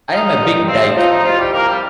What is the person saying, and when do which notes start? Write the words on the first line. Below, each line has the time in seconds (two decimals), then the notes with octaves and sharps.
I'm a big dyke.
0.11 F3 D#4
0.39 G2
0.67 F3 C4
0.92 C4
0.96 F3 D#4
1.24 C2 F3 F4
1.38 G3 G4
1.53 F3 A#3 A#4
1.67 G3 G4